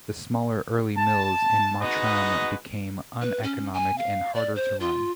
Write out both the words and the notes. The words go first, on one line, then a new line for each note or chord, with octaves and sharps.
The smaller early mills in Mottram became uneconomic and harder to run.
A5
G#3 B3 D#4 F#4 B4 D#5
B4
C#4
G#5
F5
D5
C5
F4